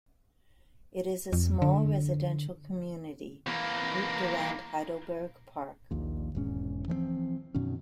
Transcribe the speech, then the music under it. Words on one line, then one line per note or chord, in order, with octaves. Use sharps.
It is a small residential community, grouped around Heidelberg Park.
F2
D3
E3 A#3
A#1 D#2 A#2
E1 G#2 C#4
E3 F3 A#3 C4
F#2 B2 D#3 C#4